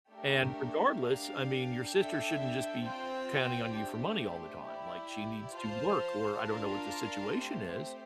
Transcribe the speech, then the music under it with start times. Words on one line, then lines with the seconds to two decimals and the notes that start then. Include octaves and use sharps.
And regardless, I mean, your sister shouldn't just be counting on you for money all the time, like, she needs to work, or I don't know what the situation is,
0.11 A3 D4 G4 A#4 E5
1.01 D4 G4 A#4 F5
1.92 D4 A4 E5 G5
2.83 C4 F4 C5 G5
3.73 A3 D4 G4 C5
4.65 E4 G4 D5
5.55 F4 C5 F5 A5
6.46 D4 F4 A#4 F5 A5
7.36 A3 C4 G4 C5